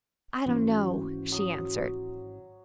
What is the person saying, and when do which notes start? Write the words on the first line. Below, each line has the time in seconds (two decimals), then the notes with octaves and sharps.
"I don't know," she answered.
0.46 G#1 E3 C#4 F#4 C5
1.32 F#3 D#6